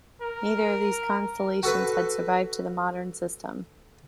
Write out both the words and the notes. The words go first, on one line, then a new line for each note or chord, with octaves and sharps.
Neither of these constellations has survived to the modern system.
A#4
F#4 A4 B4